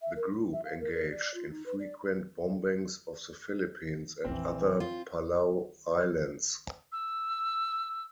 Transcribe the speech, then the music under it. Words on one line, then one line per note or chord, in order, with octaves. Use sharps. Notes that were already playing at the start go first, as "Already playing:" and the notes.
The group engaged in frequent bombings of the Philippines and other Palau Islands.
E5
A#4
E4
E5
F5
A#4
A#4
D5
F4
D#4
B4
D5
A#1 F2 E3 C4
F4
E6